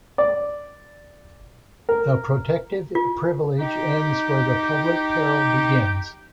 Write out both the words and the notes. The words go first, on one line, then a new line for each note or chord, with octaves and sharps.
The protective privilege ends where the public peril begins.
D5
A#4
F4
D#4 G4